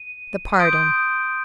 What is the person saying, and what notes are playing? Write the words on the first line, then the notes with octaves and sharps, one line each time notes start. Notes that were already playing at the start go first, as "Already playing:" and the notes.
The Pardon.
Already playing: D#7
C6 D#6 G6 D7